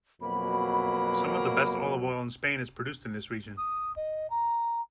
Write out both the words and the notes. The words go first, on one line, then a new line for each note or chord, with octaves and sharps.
Some of the best olive oil in Spain is produced in this region.
F2 B2 F#3 A#3 B5
D#6
D#5
A#5